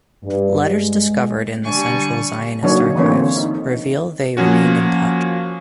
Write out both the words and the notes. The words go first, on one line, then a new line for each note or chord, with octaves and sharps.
Letters discovered in the Central Zionist Archives reveal that they remained in touch.
G2
G#3
D3 G3 G#5 C#6
D3 F#3 A#3 D4 D#4 C#5
D3 E3 A3 A#3 C4 C#5
D#4
F3 A#3 C#4 F#4